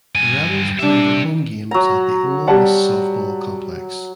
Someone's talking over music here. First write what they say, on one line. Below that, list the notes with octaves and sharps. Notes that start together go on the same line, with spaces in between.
The Rebels play their home games at the Ole Miss Softball Complex.
G2 G#5
C3 G3 D4 E5
F#3 A#5
G3 F#5 A5